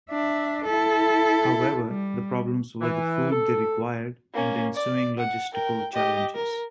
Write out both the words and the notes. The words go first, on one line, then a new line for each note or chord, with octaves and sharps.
However, the problems were the food they required and the ensuing logistical challenges.
D4 E5
E4 A4
G3
E3
A4
A#3 C#4
D5
F#5
A#4 G5
G4 D#5
A#4